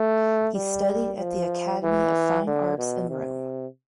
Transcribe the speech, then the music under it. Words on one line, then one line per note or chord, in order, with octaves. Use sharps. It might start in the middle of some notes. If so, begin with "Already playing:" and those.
He studied at the Academy of Fine Arts in Rome.
Already playing: A3
G3
F3
E3
D3
B2
C3